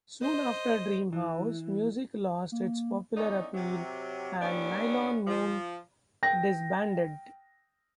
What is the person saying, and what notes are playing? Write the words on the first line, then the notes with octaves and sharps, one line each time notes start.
Soon after, dream house music lost its popular appeal and Nylon Moon disbanded.
C5 D#5
E3
A#3
E2 D3 C#4 D#4
C3 F#3
D#2 B3 C#4 D4
F3
G5 A#6